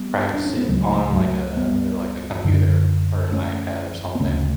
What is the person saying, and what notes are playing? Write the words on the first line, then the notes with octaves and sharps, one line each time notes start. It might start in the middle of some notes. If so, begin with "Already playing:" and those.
practice it on, like, a, like, a computer or an iPad or something.
Already playing: G3 B3
D4
C#4
B3
C#2 C#3 F#3 A3
F#3 A3
G3 B3
F#2 D3
A3 C#4
B3
D2 C#3 A3 C#4